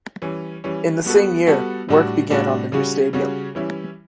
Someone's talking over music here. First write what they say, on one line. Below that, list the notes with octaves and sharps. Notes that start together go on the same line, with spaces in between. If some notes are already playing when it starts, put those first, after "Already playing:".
In the same year, work began on the new stadium.
E3 G3 C#4
E3 G3 C#4
G3 B3 F#4 A4
G3 B3 F#4 A4
A2 G3 D4 F#4
A2 G3 D4 F#4
C#3 G3 C#4 F#4
C#3 G3 C#4 F#4
E3 G3 C#4 E4